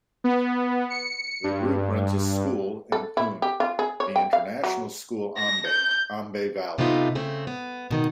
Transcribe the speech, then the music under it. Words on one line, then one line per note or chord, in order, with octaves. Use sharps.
The group runs a school in Pune, the International School Aamby - Aamby Valley.
B3
C#7
G2
A4
E4
G4
F4
G#4
C#5
G5
F5
F#3
A#6
G6
F2 C3 A3 B3 D#4 F4
C#3 A3 C4
B3
B2 D#3 D#4